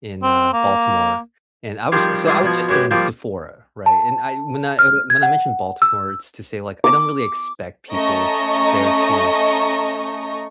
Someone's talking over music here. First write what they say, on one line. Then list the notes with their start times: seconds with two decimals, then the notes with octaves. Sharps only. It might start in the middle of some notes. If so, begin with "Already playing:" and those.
in, uh, Baltimore, and I was so I was just in Sephora, right, and I when I, eh, when I mentioned Baltimore, it's to say, like, I don't really expect people there to
0.23 C4
0.53 A#3
1.92 D#3 F3 G3 C4 G4 G#4
2.27 E3 G3 G#3 F4 G#4
2.43 B2 F3 G#5
2.69 F#2 G#3 F#4 G4 B4 G#5
2.91 F3 G3 A#3 C4 F4 C5
3.86 A5
4.79 F6
5.10 G#6
5.23 F#5
5.82 E6
6.84 D6
7.92 A3 C#4 D#5 A#5 C#6